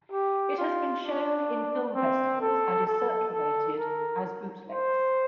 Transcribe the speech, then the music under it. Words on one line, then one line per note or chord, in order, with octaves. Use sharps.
It has been shown in film-festivals and is circulated as Bootlegs.
G4
F4
D4
C4
A4
A4
A4
A#4
C5